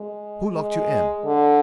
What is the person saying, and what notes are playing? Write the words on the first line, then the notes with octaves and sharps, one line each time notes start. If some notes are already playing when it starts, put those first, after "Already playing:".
"Who locked you in?"
Already playing: G#3
G#3
D3